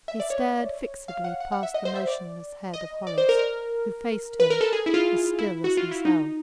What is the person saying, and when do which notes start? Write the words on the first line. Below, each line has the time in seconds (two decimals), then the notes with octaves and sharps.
He stared fixedly past the motionless head of Hollis, who faced him, as still as himself.
0.08 E5
0.20 D5
0.30 C#5
1.08 F5
1.24 F#5
1.40 F#5
1.52 F#5
1.63 E5
1.74 D#5
1.85 C5
1.96 E5
2.07 D5
2.74 D#5
3.07 D5
3.18 C5
3.29 A#4
3.39 A#4
4.40 B4
4.50 A#4
4.61 A4
4.73 G#4
4.86 E4
4.94 F4
5.39 E4
5.64 F#4
5.77 F4
5.91 E4
6.05 D#4